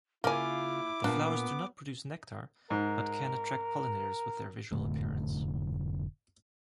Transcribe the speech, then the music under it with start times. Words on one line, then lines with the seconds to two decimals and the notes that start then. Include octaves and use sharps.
The flowers do not produce nectar, but can attract pollinators with their visual appearance.
0.24 C#3 A#3 E4 F4 G#5 D6
1.04 A#2 B3 D4
2.70 G#2 A#4
4.72 F1 A2 D3 A3